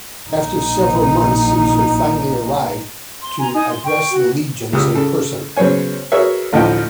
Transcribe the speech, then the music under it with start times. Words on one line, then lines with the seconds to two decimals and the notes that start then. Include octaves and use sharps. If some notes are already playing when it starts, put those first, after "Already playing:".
After several months, Caesar finally arrived to address the legions in person.
0.30 A#1 D#4
3.22 C6
3.39 G#5 A#5 C6
3.54 D#4 G#5 D#6
3.68 C6
3.85 G5 C#6
4.12 F#4
4.73 C#2 C#3 G4 D#6 E6
4.95 C#3 A4
5.57 C#3 F#3 B3 C5 C#5 G#5
6.12 F#4 G#4 A#4 B4 C#5 E5
6.53 A1 D2 A2 F3 D#5 G5